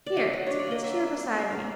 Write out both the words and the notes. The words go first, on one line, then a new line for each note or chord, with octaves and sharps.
Here, take this chair beside me.
D5
F#3 D#5
F#3
D4 C#5
D5
A#3 D#5
F#3 E5
F#3
D4
A#3 E5
B2 F5